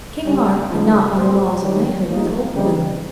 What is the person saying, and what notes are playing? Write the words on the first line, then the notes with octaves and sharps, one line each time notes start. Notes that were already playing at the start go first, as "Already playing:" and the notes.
King Mark could not by the laws of knighthood withhold the boon.
C#3 G3 C#4
C#3 F3 A#3 D#4
A#2 G3 C4
D#3 G3 C#4
F3 A#3 D#4
C#3 G3 C4 D#4